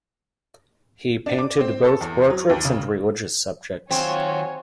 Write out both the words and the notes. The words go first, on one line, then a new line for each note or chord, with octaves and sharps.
He painted both portraits and religious subjects.
D4
D6
C4
A4
E2
F#3
D#2
C#3
D#3 F#3 C4 F4 F#4 C#5 F5 G#5